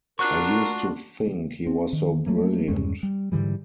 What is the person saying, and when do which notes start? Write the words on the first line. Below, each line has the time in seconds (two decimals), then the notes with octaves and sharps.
I used to think he was so brilliant.
0.19 D4 F4 F#4 A#4 C#6 F#6
1.67 C4
1.93 D#3
2.26 F#3 A3 A#3
2.68 E2 G2 G#3 C#4
3.03 G3
3.32 G#2 D3 E3 G3